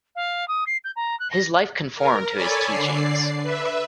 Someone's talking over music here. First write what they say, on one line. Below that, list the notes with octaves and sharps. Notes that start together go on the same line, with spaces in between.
His life conformed to his teachings.
F5
D#6
C7
G6
A#5
F#6
A#6
A#4
A4 C#5 D5 G#5 A5 B5
D3 D5 C7
B4 E5